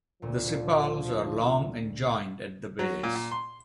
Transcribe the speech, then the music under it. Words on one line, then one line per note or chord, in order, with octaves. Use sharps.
The sepals are long and joined at the base.
D2 A#2 F3
F#3
A#2
A#2
C6